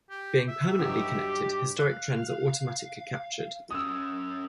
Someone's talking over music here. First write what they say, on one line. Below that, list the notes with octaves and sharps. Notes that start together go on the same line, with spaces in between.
Being permanently connected, historic trends are automatically captured.
G4
E5
G2 F#3 D#4 G4
F5 F#6
C#4 F#4 D#6 E6